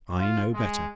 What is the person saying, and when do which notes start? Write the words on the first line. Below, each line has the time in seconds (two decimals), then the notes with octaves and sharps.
I know better.
0.18 F4
0.54 G#3